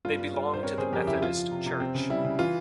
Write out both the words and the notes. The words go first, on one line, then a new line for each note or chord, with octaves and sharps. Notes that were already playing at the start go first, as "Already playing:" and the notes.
They belonged to the Methodist Church.
G2 F4
G2
G2
G2
C5
C4 A#4 C#5
C#3 G#4 C5
F2 G4 A#4
C#3 E4 G4
F3 F4
F3
C3
C3
C4
C#3
G3 E4
C#3
E3 F4